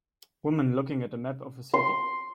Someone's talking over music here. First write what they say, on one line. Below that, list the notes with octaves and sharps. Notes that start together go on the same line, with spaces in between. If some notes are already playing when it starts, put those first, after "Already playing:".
Woman looking at a map of a city.
C6